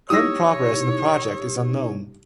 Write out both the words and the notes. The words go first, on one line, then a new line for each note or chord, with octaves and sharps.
Current progress on the project is unknown.
D#4 E4 G4 C#5 D#6 E6 A#6